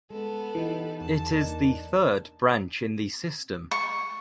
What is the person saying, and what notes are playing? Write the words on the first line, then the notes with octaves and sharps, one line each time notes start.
It is the third branch in the system.
G#3 B3 A4
E3 D#4 G4 G#4
E2 A5
A#3 D4 D#4
C#6